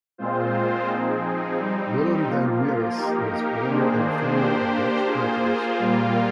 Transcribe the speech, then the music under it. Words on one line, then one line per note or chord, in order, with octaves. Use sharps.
Willem van Mieris was born in a family of Dutch painters.
A#2 G#3 C4 F4 C5
F3 C4 D#4 G#4
G3 C4 D#4
F3 A#3 F4
A#3 D#4 G4 A#4
D#3 A#3 D4 G#4 C5
A#3 D4 G4 C5
A#3 F4 G#4 C5
A#2 G3 A#3 F4